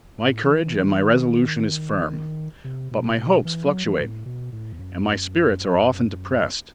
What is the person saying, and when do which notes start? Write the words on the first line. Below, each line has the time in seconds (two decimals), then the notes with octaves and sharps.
My courage and my resolution is firm; but my hopes fluctuate, and my spirits are often depressed.
0.24 A2
0.44 E3
0.63 E3
0.84 D#3
0.92 E3
1.00 D#3
2.64 C3
2.91 B2
3.18 B2
3.45 E3
3.65 F#3
3.85 E3
4.00 G2
4.05 A2
4.26 B2
4.52 A2
4.72 E2
4.79 F#2